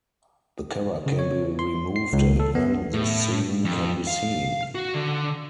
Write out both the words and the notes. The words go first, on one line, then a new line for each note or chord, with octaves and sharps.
The cover can be removed and then the scene can be seen.
C#3
C#5
C6
C7
C#2
A4
B3
A2
F2
F5
F#4
D3